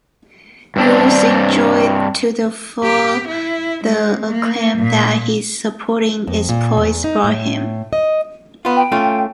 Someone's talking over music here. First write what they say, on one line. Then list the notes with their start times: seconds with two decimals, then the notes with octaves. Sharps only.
Roose enjoyed to the full the acclaim that his sporting exploits brought him.
0.76 G2 C4 D4
2.83 G4
3.28 E4
3.84 G#3
4.29 A#3
4.79 A#2
6.27 F2
6.49 A#2
6.77 E2
7.04 D#4
7.24 A2
7.93 D#5
8.65 B3 F4
8.77 G5
8.92 A3 C#4 F4